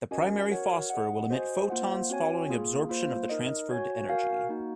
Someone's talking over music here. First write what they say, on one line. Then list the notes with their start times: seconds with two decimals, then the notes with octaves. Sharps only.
The primary phosphor will emit photons following absorption of the transferred energy.
0.11 C#4 F#4 A#4 D#5 G#5
0.50 F#4 A#4 C#5 F#5
0.90 G#4 D#5 F#5
1.30 F#4 C5 D#5 G#5
1.70 A#3 F4 C5 F#5
2.09 C4 F#4 C#5 G#5
2.49 A#3 F4 G#4
2.89 A#3 F4 C5
3.29 D#4 A#4 D#5
3.69 F#4 C#5 G#5
4.09 F#4 A#4 F5 G#5
4.49 A#3 D#4 F#4